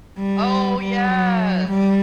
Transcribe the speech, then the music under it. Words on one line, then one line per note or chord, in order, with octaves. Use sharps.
Oh, yes.
G3
G3
F#3
G3